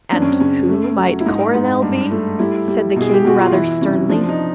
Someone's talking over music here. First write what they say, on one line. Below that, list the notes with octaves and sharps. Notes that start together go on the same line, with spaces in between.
"And who might Coronel be?" said the King, rather sternly.
F#2 D4
C#4
C4
C#3 C#4
A3
F#3
E4
G#2 D#4
G#2
G2
A3
G3 E4
G3
B2
G#4
G4
B2 F#4
F4
E3 E4
C3 C#4
F3 D4
D#4